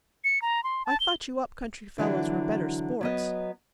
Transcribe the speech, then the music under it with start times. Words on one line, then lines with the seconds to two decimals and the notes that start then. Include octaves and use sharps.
"I thought you up-country fellows were better sports."
0.24 C#7
0.42 A#5
0.64 C6
0.86 A5
1.00 G7
1.98 D3 E3 F#3
3.01 F#3 B3 D#5